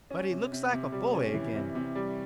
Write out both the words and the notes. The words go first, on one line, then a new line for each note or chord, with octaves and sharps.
But he looks like a boy again!
C#4
C3
C3
C3
G3
C#4
E3
C3
C3
G3